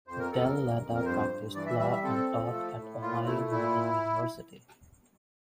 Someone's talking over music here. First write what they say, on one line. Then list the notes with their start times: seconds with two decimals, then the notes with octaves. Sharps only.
Del Latta practiced law and taught at Ohio Northern University.
0.07 F2 C5
0.19 A#4
0.32 F2 A4
0.43 A#4
0.57 F2
0.81 F2
0.94 A#4
1.05 G2 C5
1.30 G2
1.55 E3 D5
1.66 E5
1.79 G3 E5
1.91 E5
2.03 C4 A4
2.29 F3
2.52 A3
2.78 A2
3.02 A#2 F4
3.26 A3 E4
3.51 A#2 E4